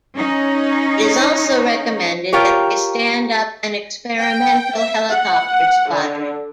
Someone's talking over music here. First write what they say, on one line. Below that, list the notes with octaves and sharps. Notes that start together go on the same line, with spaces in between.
It also recommended that they stand up an experimental helicopter squadron.
C#4 D#4
F4 G4 A#4 C#5
G5
E5
F#5
D3